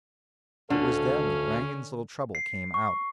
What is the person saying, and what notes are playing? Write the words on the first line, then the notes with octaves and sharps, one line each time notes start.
It was then that Rangon's little trouble came out....
D2 D3 C#4 A4 F5
C7
C#6